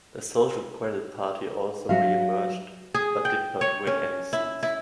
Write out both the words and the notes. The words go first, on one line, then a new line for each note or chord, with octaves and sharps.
The Social Credit Party also re-emerged, but did not win any seats.
F#3 F#4 E5 F5
G#4
G5
C#5
C#4
E4
E4